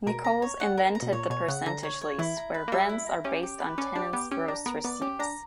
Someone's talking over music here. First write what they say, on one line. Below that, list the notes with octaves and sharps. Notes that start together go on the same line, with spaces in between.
Nichols invented the percentage lease, where rents are based on tenants' gross receipts.
B2 A#4
A#5
C#5
F#5
A#4
A#5
B2
A#2 C#5
B2 C#5
C#3 F#5
D3 A#5
C#5
C#5
E3 E4
A#5
B4
A#3
G3 E5
E4
A#5
C#4 G4
G4
B4
C#4 D5
D4 G4
B3 G4
C#4 G4
D4 A#5
B3 A#4
B3 D5
C#4 G4
D4 A#5